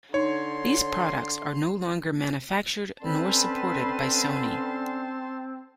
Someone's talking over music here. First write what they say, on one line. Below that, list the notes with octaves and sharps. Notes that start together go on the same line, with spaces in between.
These products are no longer manufactured nor supported by Sony.
D3 D#4 C#5 C6
D3 C4 C#4 B4 A5 B5 C6